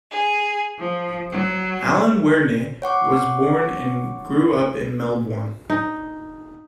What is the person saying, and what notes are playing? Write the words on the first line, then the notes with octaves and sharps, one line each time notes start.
Alan Wearne was born and grew up in Melbourne.
G#4
F3
F#3
C#5 F#5 C#6 D6
D#4